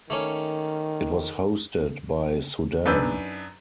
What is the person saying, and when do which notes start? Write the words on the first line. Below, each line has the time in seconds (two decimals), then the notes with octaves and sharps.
It was hosted by Sudan.
0.10 D#3 A3 A#3 C#4
2.86 F#2 D4 D#4 B4 E6 G6